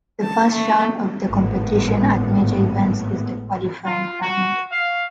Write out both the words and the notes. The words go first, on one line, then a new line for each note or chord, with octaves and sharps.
The first round of the competition at major events is the qualifying round.
A5
A3
G#1 A2 B3
F4
F#4
F5